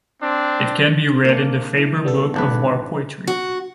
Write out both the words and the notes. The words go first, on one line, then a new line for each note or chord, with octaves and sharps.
It can be read in "The Faber Book of War Poetry".
C4 D4
A#3 D4
E4
G3 B3 A4
G#1 D4 B4
F#4